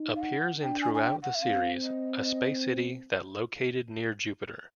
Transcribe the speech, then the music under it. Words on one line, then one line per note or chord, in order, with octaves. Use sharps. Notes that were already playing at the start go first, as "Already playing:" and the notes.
Appears in throughout the series a space city that located near Jupiter.
Already playing: D#4
F5
F#5
D4 G5
G#5
G#5
G5
F#5
E5
C4 F5
D#5
D#5